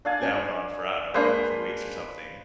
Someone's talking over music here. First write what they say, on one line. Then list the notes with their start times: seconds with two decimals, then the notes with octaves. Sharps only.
that went on for, I don't know, a couple few weeks or something,
0.05 D4 F5 G#5
0.22 C#4
1.14 G#3 A#3 D4 B4 C5 F5